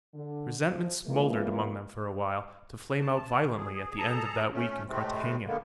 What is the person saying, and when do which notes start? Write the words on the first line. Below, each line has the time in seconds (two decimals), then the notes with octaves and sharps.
Resentment smouldered amongst them for a while, to flame out violently at the end of that week in Cartagena.
0.15 D3
0.63 F3
1.06 C#3 E3 G#3 A#3 B3 F4
3.00 A5
3.56 G#4
3.98 G#4 A4 A5 A#5
4.52 A3 C#4
4.88 A2 C3 G#3 A3 C4
5.46 D3 G#3 A#3 B3